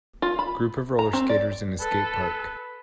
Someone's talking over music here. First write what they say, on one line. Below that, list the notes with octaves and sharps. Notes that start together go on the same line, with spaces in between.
Group of rollerskaters in a skate park.
F4
B5
A#5
C4
D5
A4 B4